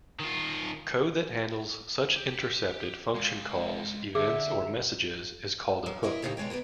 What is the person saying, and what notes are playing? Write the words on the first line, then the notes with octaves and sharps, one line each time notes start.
Code that handles such intercepted function calls, events or messages is called a hook.
D#3 F4
G4
G#3 F5
D3 G#4 E5
F#3
E4 A#4 D#5 E5
F2 A2 C#3 A#3 D#4 G4
B2 D3 G#3 C#5 G5
A#3 B3 E4 B4